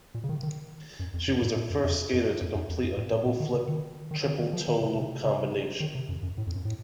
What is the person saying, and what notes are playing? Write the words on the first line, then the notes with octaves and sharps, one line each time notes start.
She was the first skater to complete a double flip, triple toe loop combination.
A#2
C#3
D#3
D#3
F#2
F2
F#2
A2
A#2
F#2
F2
F#2
F#2
F#2
F2
F#2
A2
A#2
A#2
D#3
C#3
D#3
D#3
D#3
D#3
F3
D#3
C#3
C3
C#3
D#3
C3
F#2
F#2
A2
F2
F#2
A2